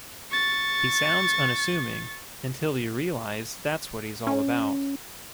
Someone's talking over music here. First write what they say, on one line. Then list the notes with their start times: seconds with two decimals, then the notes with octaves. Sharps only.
He sounds unassuming until you realize that's what he's all about.
0.31 C#6 A6
4.27 C#4